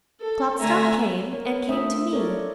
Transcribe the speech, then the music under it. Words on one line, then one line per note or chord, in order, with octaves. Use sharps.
Klopstock came, and came to me.
A4
D3 A3 C4 E5 G#5 A#5
A#4 C#5
A3 D4 F4 E5 D#6
A4 A#4 C#5 D5